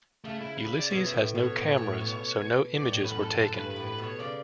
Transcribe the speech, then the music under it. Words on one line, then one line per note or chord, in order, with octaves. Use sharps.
Ulysses has no cameras so no images were taken.
C#3 A3
E4
B4
E5
D5
B2 C#5
E5
A2
B2 C#5
A2 C#5
A2
B2
D5
A2 C#5
B4
F#2
A4
F#2
A4
G2 B4
B4
A2
B4
B2 C#5
C#3 D5